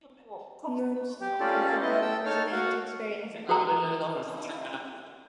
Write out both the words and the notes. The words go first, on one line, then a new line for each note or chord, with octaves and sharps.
Moonves had upper management experience early in his business career.
G4
C#4 F4 G4 A4 D5
B3 E4 D#5
A4 G5 E6
D#4 A4 C#5 A5 F6
F#4 F5 F#5
F#4 A4 A#4 G5 A#5